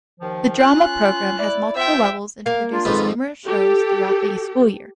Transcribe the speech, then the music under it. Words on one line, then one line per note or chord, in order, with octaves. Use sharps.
The drama program has multiple levels and produces numerous shows throughout the school year.
D#2 D#3 F3
C#4 F4 F#6
E4 D5
C4 F4 C5 E5 G5
A#3 A#4 F5
D4 F4
F2 G#2 D#3 D#4 B4
G4 A4